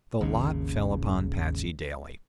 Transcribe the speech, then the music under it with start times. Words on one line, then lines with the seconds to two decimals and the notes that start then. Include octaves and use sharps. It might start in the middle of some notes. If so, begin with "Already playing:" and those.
The lot fell upon Patsey Daly.
0.21 G#1 D#2 C#3